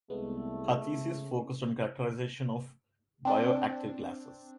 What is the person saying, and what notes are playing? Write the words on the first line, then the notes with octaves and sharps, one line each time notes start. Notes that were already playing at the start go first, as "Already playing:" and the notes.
Her thesis focused on characterization of bioactive glasses.
C2 G#3 A3 B3
C#3
C4 D4